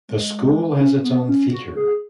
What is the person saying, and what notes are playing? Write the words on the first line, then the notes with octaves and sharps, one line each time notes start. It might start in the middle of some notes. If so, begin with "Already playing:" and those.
The school has its own theater.
G#3
C#4
B3
C#4
F#4
G#4